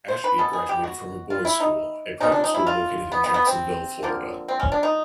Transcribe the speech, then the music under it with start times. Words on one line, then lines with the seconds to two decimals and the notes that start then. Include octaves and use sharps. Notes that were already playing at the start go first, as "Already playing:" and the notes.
Ashby graduated from The Bolles School, a private school located in Jacksonville, Florida.
0.08 C5
0.24 B4
0.38 B2 G#3 B3 A4
0.53 G#4
0.69 G4
0.84 F#4
1.30 F4
1.45 E4
1.60 D#4
2.20 C#3 F3 G#3 D#4
2.32 D4
2.44 D#4
2.54 E4
2.67 F4
3.12 B3
3.24 B3
3.34 B3
3.47 C4
4.03 D3 F3 A#3
4.48 C4
4.60 C#4
4.72 D4
4.83 D#4